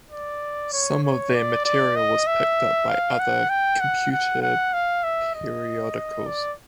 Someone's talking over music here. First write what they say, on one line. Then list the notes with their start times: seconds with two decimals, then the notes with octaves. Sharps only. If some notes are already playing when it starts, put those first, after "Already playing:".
Some of their material was picked up by other computer periodicals.
0.11 D5
0.73 C#5
1.03 C#5
1.34 D5
1.65 D5
1.96 D#5
2.27 E5
2.89 F5
3.19 F#5
3.50 G5
3.81 F#5
4.11 F#5
4.42 F#5
4.73 F5
5.04 E5
5.35 D#5
6.27 D5